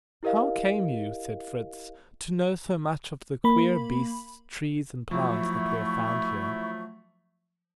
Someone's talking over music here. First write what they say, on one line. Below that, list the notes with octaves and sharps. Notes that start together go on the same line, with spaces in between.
"How came you," said Fritz, "to know so much of the queer beasts, trees, and plants that we have found here?"
E4 G4 A#4 D#5 F5
A#3 B5
F3 F#3 A3 E4 C#6